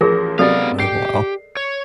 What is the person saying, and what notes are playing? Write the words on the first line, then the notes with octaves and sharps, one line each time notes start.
Oh wow.
A1 F3 G#4 A#4 A#6
C3 F#3 B3 A4 D5 D#5 F5
G4 C7
C#5